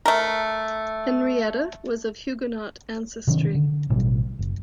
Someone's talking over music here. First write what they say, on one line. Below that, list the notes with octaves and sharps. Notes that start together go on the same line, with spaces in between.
Henrietta was of Huguenot ancestry.
A3 A#4
C3 D#3 F#3 C#4
D3
A1 B2 F#3 G3
F#1